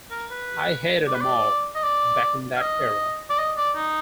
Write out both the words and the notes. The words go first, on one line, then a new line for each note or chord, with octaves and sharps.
I hated 'em all, back in that era.
A#4
B4
D5
B4
D5
D#5
D5
F5
D#5
D5
D#5
D5
D#4